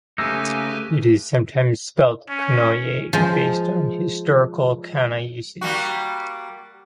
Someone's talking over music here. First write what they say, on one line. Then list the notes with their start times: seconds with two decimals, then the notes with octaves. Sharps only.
It is sometimes spelled "Konoye" based on historical kana usage.
0.18 C#3 A3 A#3 D#4 G4 B4 G#5 E6
2.29 C#4
3.13 F3 G#3
5.61 G3 A#3 F#4